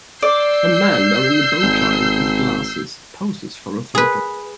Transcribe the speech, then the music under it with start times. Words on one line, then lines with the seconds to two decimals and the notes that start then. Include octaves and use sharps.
A man wearing a bowtie and glasses poses for a photo.
0.22 D5 E6 G6 C7
1.63 G#1
3.95 G#4 B4